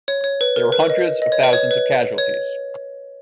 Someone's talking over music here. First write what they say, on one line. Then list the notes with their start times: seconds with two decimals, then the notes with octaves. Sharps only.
There were hundreds of thousands of casualties.
0.08 C#5
0.24 C#5
0.41 B4
0.56 A#4
0.72 B4
0.90 D#5
1.22 D#5
1.32 C#5
1.44 B4
1.53 C#5
1.71 B4
2.18 C#5